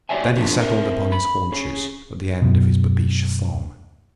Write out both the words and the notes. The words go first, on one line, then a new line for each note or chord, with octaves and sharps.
Then he settled upon his haunches at the end of his babeesh thong.
G4 G#4 C#5 D5 E5 G#5
F3 D4 F4 G4
C4 A#4 E5
B5
C#4 G#4
F#2 B2